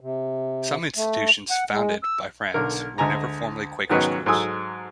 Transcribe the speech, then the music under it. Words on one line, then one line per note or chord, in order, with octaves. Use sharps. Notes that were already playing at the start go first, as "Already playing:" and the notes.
Some institutions founded by Friends were never formally Quaker schools.
C3
A3
F#5
G#3
E6
B1 D3 A#4
D2 G#3 G#5 A#5
G#2 D#3 F#3 B3 C#4 D#4
G#2 F#3 A4 G#5 D#6 E6